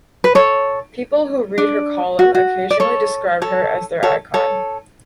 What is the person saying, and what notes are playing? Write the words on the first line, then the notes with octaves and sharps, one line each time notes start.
People who read her column occasionally describe her as their icon.
B4
A4 C#5
D4
F#4
F#4
D5
A4 C#5
A4 C#5
A4 C#5
A4 C#5